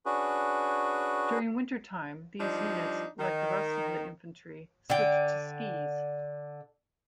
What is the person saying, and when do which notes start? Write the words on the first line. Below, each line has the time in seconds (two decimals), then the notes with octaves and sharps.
During winter time these units, like the rest of the infantry, switched to skis.
0.06 C#4 D4 F#4 G#4 B4
2.39 F3 G3 D4 D#4
3.19 D#3
4.90 D3 G5